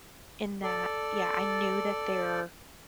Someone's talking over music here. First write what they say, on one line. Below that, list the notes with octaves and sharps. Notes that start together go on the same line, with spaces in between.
in that Yeah, I knew that there
A4 D5